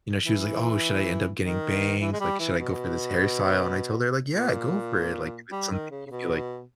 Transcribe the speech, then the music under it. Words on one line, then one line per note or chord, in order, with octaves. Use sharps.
you know, she was like, "Oh, should I end up getting bangs? Like, should I go for this hairstyle?" And I told her, like, "Yeah, go for it. Like, if it's something you feel like
E3
D#3
E3
G#3
G3
E3
B2
A#2
G3
D#3
C#3
C#3
B2